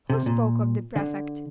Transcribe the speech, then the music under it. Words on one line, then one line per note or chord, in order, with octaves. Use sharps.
'Who spoke of the prefect?
C3
A#2
D3